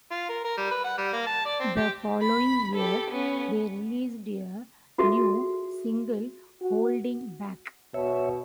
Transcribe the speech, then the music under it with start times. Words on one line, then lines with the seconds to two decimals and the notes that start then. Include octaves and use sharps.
The following year they released a new single "Holding Back".
0.11 F4
0.29 A#4
0.45 A#4
0.58 G3
0.71 B4
0.85 F#5
0.98 G3
1.13 A#3
1.27 A5
1.46 D5
1.60 C4
1.77 G4
2.22 B5
2.76 G4 A4
3.11 B3 C#4
4.98 F4 F#4 G#4 A4 E5
6.62 F#4
7.94 B2 C#5 E5